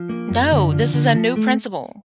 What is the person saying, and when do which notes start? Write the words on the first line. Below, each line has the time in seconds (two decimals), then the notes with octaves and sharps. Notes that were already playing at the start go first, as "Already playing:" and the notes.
No, this is a new principal.
Already playing: F3
0.09 A#3
0.30 F#2
0.52 D3
0.72 F3
0.93 D3
1.15 F3
1.36 A3